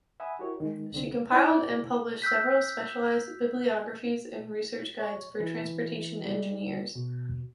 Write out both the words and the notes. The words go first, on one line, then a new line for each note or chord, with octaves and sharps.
She compiled and published several specialized bibliographies and research guides for transportation engineers.
E5 F#5 G#5 B5 D#6 E6
E4 F#4 G4 A#4 C#5
D#3 G#3
C2 D3 C4
E4 D5
E6 F#6 G6 B6
C#5
E3
G3
B2